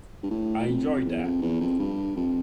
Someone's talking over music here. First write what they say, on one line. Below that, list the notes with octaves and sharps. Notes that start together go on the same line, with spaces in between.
I enjoyed that.
G2
A2
F2
E2
F2
E2
F2
G2
F2